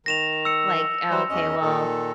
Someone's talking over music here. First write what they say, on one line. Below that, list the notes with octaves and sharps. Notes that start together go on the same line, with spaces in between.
like, oh, okay, well,
D#3 A#6 E7 F7
E6 C#7
F#3 G3 C5
E2 C#4 D#5
A#2 D#3 A4